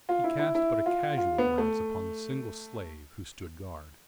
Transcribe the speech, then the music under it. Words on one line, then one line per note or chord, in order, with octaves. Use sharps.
He cast but a casual glance upon the single slave who stood guard.
F4
E4
E4
E4
F4
F4
B3
A3